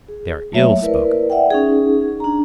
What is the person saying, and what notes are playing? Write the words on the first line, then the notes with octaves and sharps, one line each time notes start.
They are ill spoken.
G#4
F#3 A3 A#3 C#5 E5
E4 A#4 B4 D5
D5 E5 F#5 G5
C#4 D#4 G#4
D4 A#5